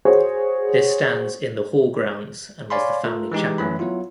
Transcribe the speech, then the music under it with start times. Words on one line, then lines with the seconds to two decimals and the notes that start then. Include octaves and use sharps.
This stands in the hall grounds and was the family chapel.
0.05 F#4 G#4 C5 C#5
2.70 C#5 D5 F5 G#5 B5 C6
3.04 A3 F4 A4 A#4
3.32 E3 G#3 D#4 G4
3.58 F#2 E3 F#3 A3 B5
3.79 F#3 B3 E4 F4